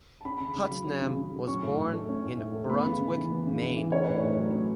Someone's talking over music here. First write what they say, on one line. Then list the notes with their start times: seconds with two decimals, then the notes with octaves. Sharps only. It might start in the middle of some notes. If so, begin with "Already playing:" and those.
Putnam was born in Brunswick, Maine.
0.21 A5
0.25 C#4 B5
0.40 C#3
0.56 C#3
0.70 F#3
0.87 C#4
1.01 C#3
1.17 C#3
1.33 F#3
1.47 C#4 C#6
1.63 A2
1.78 A2
1.94 A3
2.09 C#4
2.24 A2
2.40 A2
2.54 A3
2.70 B3 B5
2.85 C#3
3.01 C#3
3.17 E3
3.31 B3
3.47 C#3
3.62 C#3
3.77 E3
3.92 C#4 C#5
4.04 A2 B4
4.15 C#5
4.23 A2
4.39 F#3
4.54 C#4